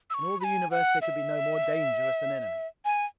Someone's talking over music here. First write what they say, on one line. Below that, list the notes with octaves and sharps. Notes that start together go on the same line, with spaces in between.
In all the universe there could be no more dangerous an enemy.
E6
C#6
B5
G#5
F#5
E5
G#5